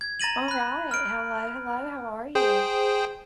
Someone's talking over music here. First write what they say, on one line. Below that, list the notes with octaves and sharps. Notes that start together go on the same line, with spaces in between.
Alright, hello, hello, how are you?
G#6
A#5 A6 A#6 D#7 F#7
B5 F#6
F6 D7
G#4 C5 G5